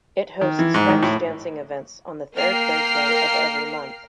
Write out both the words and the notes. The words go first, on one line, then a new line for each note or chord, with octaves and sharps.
It hosts French dancing events on the third Thursday of every month.
D#3
E3
G#2
D#3
A2
A#3 A#4 G5 F6 C7